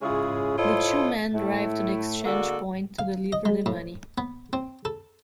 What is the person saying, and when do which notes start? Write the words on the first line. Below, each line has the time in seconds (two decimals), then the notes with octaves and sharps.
The two men drive to the exchange point to deliver the money.
0.02 C#3 G#3 C#4 E4 F4 G#4
0.57 E4 F4 A4 C5 C#5 D#5
1.34 A2 A3 E4
2.25 D3 G#3 A#3 F#4 A4 D5
2.99 F5
3.33 D#5
3.45 G#3
3.66 A2
4.18 B3
4.53 C4
4.85 A4